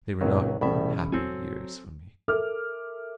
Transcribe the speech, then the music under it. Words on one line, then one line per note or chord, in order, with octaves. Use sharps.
They were not happy years for me.
G#1 C#2 F#2 A#2 F#3
E1 C2 A2 C#3 E5 B5
F#3 C4 A4 G#5
A4 A#4 E5 D6 F6